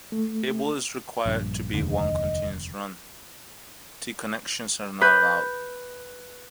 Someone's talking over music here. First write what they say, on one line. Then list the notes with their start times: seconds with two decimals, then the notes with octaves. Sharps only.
The cable is required to be one continuous run; T-connections are not allowed.
0.12 A3
1.26 A#1 G2
1.74 F1 D#2 D3
1.91 D#5
5.01 B4 G6